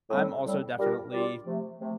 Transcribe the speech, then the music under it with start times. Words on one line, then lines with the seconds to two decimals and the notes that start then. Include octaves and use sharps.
I'm also definitely
0.10 A2 G3 C4
0.44 A2 G3 C4
0.78 G3 D4 F4 A#4 D5
1.11 G3 D4 F4 A#4 D5
1.46 C3 F3 A3
1.80 C3 F3 A3